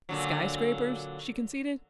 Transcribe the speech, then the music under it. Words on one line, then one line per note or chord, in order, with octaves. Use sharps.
"Sky-scrapers?" she conceded.
A#2 D3 F#3